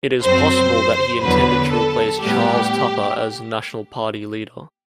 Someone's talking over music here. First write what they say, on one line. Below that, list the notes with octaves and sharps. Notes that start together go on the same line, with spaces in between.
It is possible that he intended to replace Charles Tupper as national party leader.
F#2 F#3 C4 C5
E2 D3 F#3 B3 B4
A4
A2 G3 B3 G4